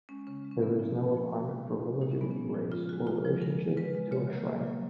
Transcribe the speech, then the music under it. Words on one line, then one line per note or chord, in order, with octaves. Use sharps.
There is no requirement for religion, race, or relationship to a Shriner.
G#3 C#4
C#3 C#4
G#3
C#4
C#3 B3
F3 A#3
C#3
F3 A#3
D#3
G#3
D#3
G#3
A#2 D#4
C#4
F3 G#3 B3
C#4
A#2
F3 G#3
C#3 F4
F3 G#3 F#4
C#3 F4
F3 G#3
C#3 A#4
G#3
C#3 B4
G#3
C#3 C#5
F#3 A#3
C#3
F#3 A#3